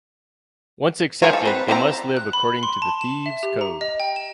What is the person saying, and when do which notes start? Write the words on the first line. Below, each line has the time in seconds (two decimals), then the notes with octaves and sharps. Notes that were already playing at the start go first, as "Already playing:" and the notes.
Once accepted they must live according to the thieves' code.
1.22 G#4 A#4 C5 C#5 F5
1.33 A4
1.45 C4 B4
1.68 C4 A4 E5 A#5
2.17 F#6
2.33 B5
2.63 C6
2.82 A5
3.01 E7
3.26 E5
3.43 G4
3.61 A#5
3.81 D#5
4.00 G5
4.16 E7